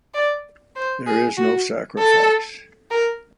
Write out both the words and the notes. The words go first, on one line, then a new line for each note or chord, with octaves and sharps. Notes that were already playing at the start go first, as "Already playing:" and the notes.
There is no sacrifice.
D5
C5
G#4
F#4
A4
A#4